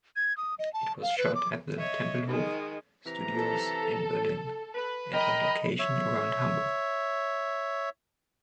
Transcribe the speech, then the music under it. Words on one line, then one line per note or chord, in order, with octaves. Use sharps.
It was shot at the Tempelhof Studios in Berlin and on location around Hamburg.
G#6
D#6
D#5
A5
F5
B4
D6
C#5 D#5 E5
D#3 G#3
C3 E3 A#5
A4
B4
A#4 D#5 G5 A#5 B5
C#5 E5